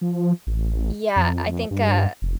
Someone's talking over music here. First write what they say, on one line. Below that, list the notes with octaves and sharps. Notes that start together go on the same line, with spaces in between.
Yeah, I think, uh,
F3
A1
F2
G2
F1